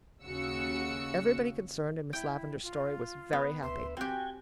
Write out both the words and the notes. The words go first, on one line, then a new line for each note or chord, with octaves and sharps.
Everybody concerned in Miss Lavendar's story was very happy.
D#2 C#3 F#4 E6 C#7
E4 G5
F4
B3
D2 B4 E5 C6
C4 F#4 G4 G5 G#5